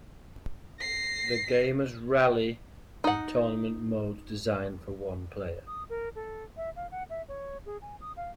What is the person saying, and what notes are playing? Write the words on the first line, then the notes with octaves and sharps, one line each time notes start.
The game has rally and tournament modes designed for one player.
A#6 C7
D#4 F#5
D#6
A#4
A4
E5
F5
F#5
E5
C#5
G#4
G#5
D#6
F5